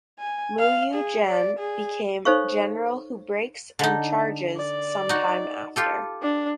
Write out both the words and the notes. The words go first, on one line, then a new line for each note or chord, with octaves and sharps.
Muyu Gen became General Who Breaks And Charges some time after.
G#5
F5
G#4
D5
G#4
D#4 A4 C5 C#5 F5 C#6
D3 D#4
D5
D#4 F#4
F4 G4 A4
D4